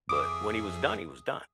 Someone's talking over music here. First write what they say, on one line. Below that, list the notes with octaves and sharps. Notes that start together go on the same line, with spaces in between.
but when he was done, he was done.
F2 G#4 E5 D6 D#6